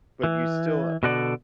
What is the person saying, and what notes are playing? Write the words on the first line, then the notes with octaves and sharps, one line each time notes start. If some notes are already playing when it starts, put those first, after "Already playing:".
but you still
E3
B2 D3 F#4 A4 D5